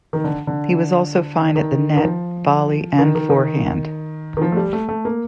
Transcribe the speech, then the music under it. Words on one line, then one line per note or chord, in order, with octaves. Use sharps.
He was also fine at the net, volley and forehand.
D#3
D3
D3
D#3
D#3
F3
D#3
D#3
D#3
D#3
F3
A3
G3
A3
A3
A#3